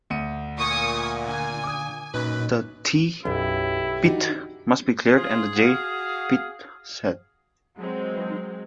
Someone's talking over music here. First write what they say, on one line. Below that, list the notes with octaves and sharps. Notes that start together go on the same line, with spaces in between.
The "T"-bit must be cleared and the "J"-bit set.
D2 C#7 D#7
A#2 G#5 C#6 D#6
D3 G#5
D6 D#6
F#2 A#2 D#4 B4
B1 F#2 E4 G4
D4 D#4 F#4
F4 G#4
F#4 F5
F#3 G#3 C4